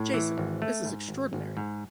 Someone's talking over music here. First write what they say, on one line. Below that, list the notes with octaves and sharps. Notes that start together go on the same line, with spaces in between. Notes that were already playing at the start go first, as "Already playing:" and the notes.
Jason, this is extraordinary!
Already playing: A2
E3
G#1
A3
G#2
G#1
G#1
G#2